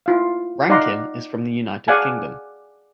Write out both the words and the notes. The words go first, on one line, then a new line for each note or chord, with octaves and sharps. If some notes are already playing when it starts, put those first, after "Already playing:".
Rankin is from the United Kingdom.
E4 F4 F5
D#4 D5 F5 F#5 A#5 C6
G#4 D5 F5 F#5 G#5 A5